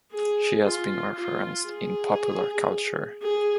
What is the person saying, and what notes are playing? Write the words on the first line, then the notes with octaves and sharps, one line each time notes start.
She has been referenced in popular culture.
G#4
F4
F4
G#4
G#4